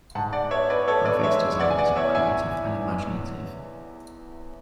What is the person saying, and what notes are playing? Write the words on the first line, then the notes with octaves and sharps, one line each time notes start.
Graphics designers are creative and imaginative.
G#2 F#5 A5
D5 F#5
B3 C#5 E5
B4 D5
B3 A4 C#5
B4 D5
G#3 C#5 E5
B3 D5 F#5
G#5
D5 F#5
E2 C#5 E5
E5 G#5